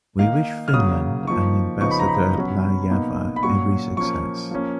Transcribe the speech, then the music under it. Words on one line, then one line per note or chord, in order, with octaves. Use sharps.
We wish Finland and ambassador Laajava every success.
D#3 A#3 D#4 F5
F6
C#3 F#3 A#3 D#6
F3 A#3 D#4 C#6
C#3 F3 B3 D#4 C#6
B5
A#5
B5
B2 F#3 C#4
B2 A#3 D#4
B5
A#2 F#3 C#4 C#6
F3 A#3 C#4 C#6
F3 A#3 C#4